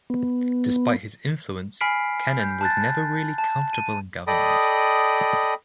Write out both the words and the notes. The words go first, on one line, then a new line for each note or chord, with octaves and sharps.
Despite his influence, Kennan was never really comfortable in government.
B3
G#5 B5 F6 B6 C7 D7
G6
A5 F#6 A6
A5
D#7
A4 D5 D#5 G5 B5 D#6